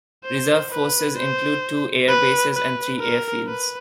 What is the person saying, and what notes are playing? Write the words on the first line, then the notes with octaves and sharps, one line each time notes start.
Reserve forces include two air bases and three airfields.
C5
B4
C5
B4
B4
A#4
B4